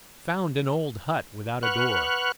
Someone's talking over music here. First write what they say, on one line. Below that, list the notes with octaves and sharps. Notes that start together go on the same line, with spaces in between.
He found an old hut without a door.
B4 F#5 C#6 F6 F#6